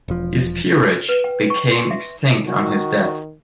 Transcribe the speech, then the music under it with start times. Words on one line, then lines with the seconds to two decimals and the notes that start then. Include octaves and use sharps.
His peerage became extinct on his death.
0.08 E1 F3
1.09 B4
1.24 G5
1.50 C#6
1.71 C6
1.91 E5
2.46 D#3 F#4